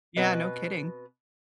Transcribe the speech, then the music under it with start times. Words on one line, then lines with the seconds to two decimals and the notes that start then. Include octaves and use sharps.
Yeah. No kidding.
0.17 B2 C4 B4 D#5